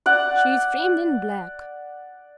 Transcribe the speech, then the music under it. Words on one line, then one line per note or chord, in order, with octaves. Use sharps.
'She's framed in black.
D5 F#5